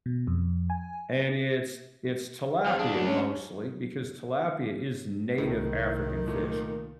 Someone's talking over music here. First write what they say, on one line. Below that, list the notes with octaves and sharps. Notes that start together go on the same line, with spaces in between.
and it's it's tilapia, mostly, because tilapia is native African fish.
B2
F2
G#5
F2 F3 F5
D2 D4 G#4
F#4
C#4
C2 A2 D#3
A#2 A3